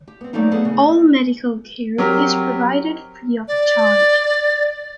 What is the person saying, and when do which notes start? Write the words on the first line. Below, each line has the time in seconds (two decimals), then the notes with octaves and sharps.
All medical care is provided free of charge.
0.08 G4
0.21 B3 C4
0.33 F#3 G3 A3 A#3 D#4
0.51 B3 G#4 A4
0.65 C#3
1.98 F#3 C4 G4 A#4
3.48 D5